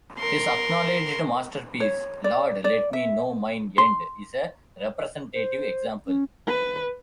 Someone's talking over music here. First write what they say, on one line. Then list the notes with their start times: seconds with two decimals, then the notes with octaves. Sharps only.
His acknowledged masterpiece, "Lord, let me know mine end", is a representative example.
0.19 A#4 C6
1.80 C#5
2.24 D5
2.64 D5
2.93 E5
3.78 C6
5.33 C5
6.06 C#4
6.47 B4